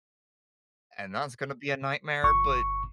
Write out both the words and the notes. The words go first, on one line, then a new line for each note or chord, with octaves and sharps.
and that's gonna be a nightmare," but
G1 C#6